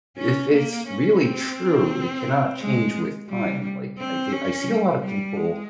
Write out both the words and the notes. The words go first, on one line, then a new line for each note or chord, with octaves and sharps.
if it's really true, it cannot change with time, like, I d I see a lotta people
C#4
A#3
C#4
C4
G#3
G3
C4
C#4
G3
G3
G#3